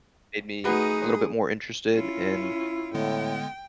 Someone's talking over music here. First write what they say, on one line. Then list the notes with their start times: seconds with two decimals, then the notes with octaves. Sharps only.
made me a little bit more interested in
0.65 A3 D#4 F#4 G#4 B4
1.92 C#4 E4 F4
2.94 A2 D3 G#3 B3 G5